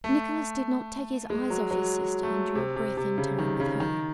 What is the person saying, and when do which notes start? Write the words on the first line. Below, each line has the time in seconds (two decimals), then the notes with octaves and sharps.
Nicholas did not take his eyes off his sister and drew breath in time with her.
0.04 A3
1.30 G#3
1.50 F#3
1.71 F#3
2.23 A3
2.55 C3
2.76 C3
2.97 C3
3.18 C#3
3.39 D#3
3.60 C#3
3.80 D#3